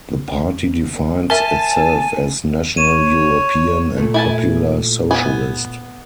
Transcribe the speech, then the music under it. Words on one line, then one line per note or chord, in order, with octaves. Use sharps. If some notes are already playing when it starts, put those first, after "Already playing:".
The party defines itself as "National European" and "Popular Socialist".
A#4 E5 G#5 A5
C#5 D#7 E7
A#2 A3
E4 G#5 A5
B3 G#5